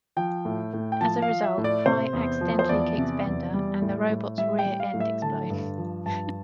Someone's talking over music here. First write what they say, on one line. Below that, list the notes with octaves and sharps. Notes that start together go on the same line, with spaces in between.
As a result, Fry accidentally kicks Bender, and the robot's rear end explodes.
F3 G5
A2
A2
G5
F3 A5
F5
F3
E5
A2
D5
C3 C5
E2
F3
C5
E2 D5
C3
E2
G3
A2
A2
G3 E5
G5
G3
F5
A2
E5
D3 A5
G2
F3
G2 A5